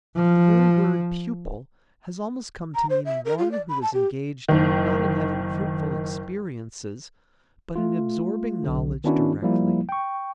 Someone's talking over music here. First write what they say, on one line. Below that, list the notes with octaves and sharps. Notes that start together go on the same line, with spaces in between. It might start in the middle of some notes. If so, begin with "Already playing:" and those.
The very word pupil has almost come to mean one who is engaged not in having fruitful experiences but in absorbing knowledge directly.
F3
A#5
C5
E5
A#4
F4
D5
B5
A5
G4
F#1 D#3
A3 F4
B1 D3
D#3 B3 C#4 D4 E4 F#4
F3 G3 A#3 E4
G5 C#6